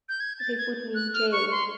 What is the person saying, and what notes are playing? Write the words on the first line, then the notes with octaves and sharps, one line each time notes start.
They put me in jail.
G6
G#6
A6
G#6
F#6
F6
C#6
C6